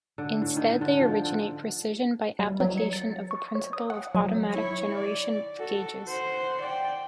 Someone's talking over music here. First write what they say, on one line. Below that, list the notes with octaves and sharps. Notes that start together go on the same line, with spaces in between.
Instead they originate precision by application of the principle of "automatic generation of gages".
D3
A2
D#3
D3
F3
D3
G3
F#3
C#7
A6
C#6
C#5
D#6
F#5
F#3
E4 C#5
D5
F#4 A4
C5 F#5
D5 G5